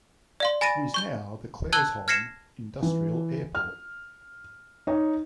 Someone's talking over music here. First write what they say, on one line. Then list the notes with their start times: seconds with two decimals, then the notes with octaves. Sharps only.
It is now the Claresholm Industrial Airport.
0.40 D5 F5 C6
0.61 G#5 B5 A6 A#6 D7 D#7
0.94 C#6 G6 G7
1.73 A5 E6 F#6 G#6 F#7 G7
2.08 F6 G#6 A#6 C7 C#7 E7
2.82 E3
3.55 F6
4.87 D#4 C#5